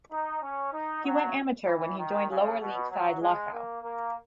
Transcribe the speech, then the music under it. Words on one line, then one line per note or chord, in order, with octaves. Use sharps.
He went amateur when he joined lower league side Lochau.
D#4
C#4
D#4
F#3
E3
D#3
C#3
B2
F#3
G#3
A#3
A#3